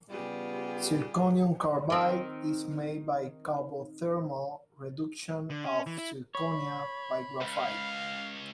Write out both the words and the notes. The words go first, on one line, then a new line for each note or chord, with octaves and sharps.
Zirconium carbide is made by carbo-thermal reduction of zirconia by graphite.
C#3 G3 B3 F4 G4 G#4
D#3 C4
D3
C#4
E3
E4
C#5 B5
C#2 F5